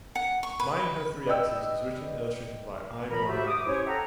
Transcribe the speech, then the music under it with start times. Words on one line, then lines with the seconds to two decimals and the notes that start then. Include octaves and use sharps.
"My and Her Three X's" is written and illustrated by Ai Morinaga.
0.15 F#5
0.43 C#6
0.60 B4
1.26 B4 D5 D#5 G5 E6
3.11 A#2 D#3 F3 A#4 A#5 B5
3.28 F#4 G4 C5 E5
3.47 D6 D#6
3.66 C#4 E4 G4 C5 C#5
3.87 A4 E5 F#5 G5 A#5